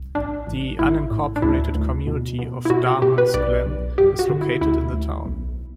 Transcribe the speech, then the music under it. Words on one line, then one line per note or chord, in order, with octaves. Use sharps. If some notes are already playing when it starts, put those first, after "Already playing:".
The unincorporated community of Durwards Glen is located in the town.
Already playing: C2
A1 D4
A1
A1 E4
A2
D4
D2 E4
D2
B2
B2
E4
B2 F#4
F#4
B2 G4
B4
B1 D5
B1
G1 G4
F#4
D3
E4
D2 E4
D2
B1